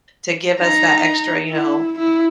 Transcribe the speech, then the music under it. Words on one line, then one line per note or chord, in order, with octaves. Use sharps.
to give us that extra, you know,
D#4 A#5
E4
E4